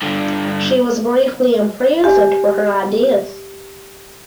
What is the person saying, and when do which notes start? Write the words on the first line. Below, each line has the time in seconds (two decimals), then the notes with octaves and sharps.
She was briefly imprisoned for her ideas.
0.02 G2 D3
2.04 G4 G#5